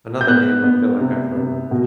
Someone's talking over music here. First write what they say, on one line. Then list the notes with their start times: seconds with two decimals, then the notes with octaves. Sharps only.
Another name I feel like I've heard.
0.21 G6
0.27 B3 F#6
0.64 B3
0.99 C3
1.35 C3
1.71 B2